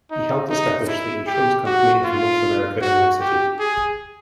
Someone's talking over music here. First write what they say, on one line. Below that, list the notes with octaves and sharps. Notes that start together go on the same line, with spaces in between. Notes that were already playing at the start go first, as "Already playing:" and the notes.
He helped to establish the Insurance Company of North America in that city.
D#4
D#4
E4
G4
F#4
F4
F#4
G4
G#4